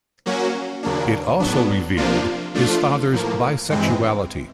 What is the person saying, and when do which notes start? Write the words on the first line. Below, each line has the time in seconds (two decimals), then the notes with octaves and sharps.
It also revealed his father's bisexuality.
0.26 F#3 A#3 C#4 F#4
0.83 D#2 C#3 F#3 A#3 D4
1.40 A2 F#3 B3 D4
1.97 C3 F3 A#3 D4 F4
2.54 F3 A3 D4 F4
3.12 A2 F3 A#3
3.69 G2 E3 G#3 C4